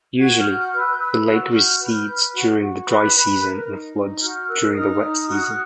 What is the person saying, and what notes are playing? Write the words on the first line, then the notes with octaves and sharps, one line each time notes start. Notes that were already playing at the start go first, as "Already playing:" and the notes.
Usually, the lake recedes during the dry season and floods during the wet season.
F#4 F#6 G#6
F6 G6
F#4
F6 G6
B4 G6
E6 F#6
G6
B4 E6 F#6
F#4 E6 F#6
F#4 F6 G6
B4 F6 G6
B4
F#4
F#4
B4
B4
A#4
D#4
D#4
F#4 F6 G6
A#4 E6 F#6
F#6
D#4 D#6 F6
D#4
F#4